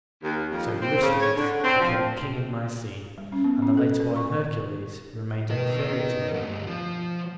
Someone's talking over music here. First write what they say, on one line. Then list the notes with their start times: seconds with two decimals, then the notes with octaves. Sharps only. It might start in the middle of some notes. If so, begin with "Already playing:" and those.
So Eurystheus became king in Mycene, and the later-born Hercules remained inferior to him.
0.23 D#2
0.51 F2
0.80 C4
1.01 C#3
1.20 C#5
1.36 D3
1.63 C4
1.80 F3
3.18 G3
3.32 C#4
3.44 B3
3.62 C#4
3.77 A4
4.00 A#4
4.16 C#6
5.50 B2 A#4 D#5
5.69 E6 C7 C#7
6.34 D2 G2 F#5
6.67 F3